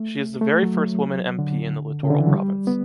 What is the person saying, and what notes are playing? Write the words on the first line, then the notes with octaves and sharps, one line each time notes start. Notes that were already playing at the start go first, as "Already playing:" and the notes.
She is the very first woman MP in the Littoral Province.
Already playing: A3
A3
F#3
D3
C#3
D3
E3
F#3
G3
B3